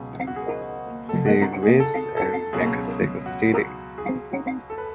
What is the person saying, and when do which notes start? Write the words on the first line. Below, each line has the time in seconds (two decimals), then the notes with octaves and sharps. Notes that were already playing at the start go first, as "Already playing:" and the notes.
She lives in Mexico City.
Already playing: C#2 B2 F#3 G#4
0.27 F#4
0.36 G#4
1.09 A4
1.26 F#4
1.63 G#4
1.80 A4
2.17 A4
2.53 C#2 B2 F#3 G#4
3.26 F#4
3.98 G#4
4.70 A4
4.78 B4